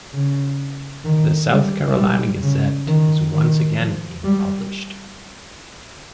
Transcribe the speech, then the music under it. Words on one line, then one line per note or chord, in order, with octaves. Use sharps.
The "South Carolina Gazette" is once again being published.
C#3
D#3
G3
G3
C#3
D#3
D#3
F3
G3